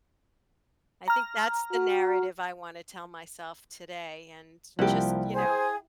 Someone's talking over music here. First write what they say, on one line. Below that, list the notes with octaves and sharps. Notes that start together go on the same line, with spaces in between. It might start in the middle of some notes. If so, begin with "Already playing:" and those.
I think that's the narrative I wanna tell myself today and just, you know
A#5 F6
F#4
C2 F3 A#3 E4 G4 F#5
G#4 C5